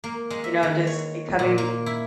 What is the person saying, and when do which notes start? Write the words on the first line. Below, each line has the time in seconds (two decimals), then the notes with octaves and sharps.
you know just becoming
0.04 A#3
0.30 G#3
0.44 E5
0.63 D#3
0.87 C#5
1.39 A#2
1.58 A#3
1.86 E4